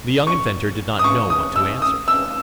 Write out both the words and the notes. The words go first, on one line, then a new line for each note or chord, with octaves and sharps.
The young inventor did not know what to answer.
C#6
D#6
C#6
D#6
E6
D#6
E6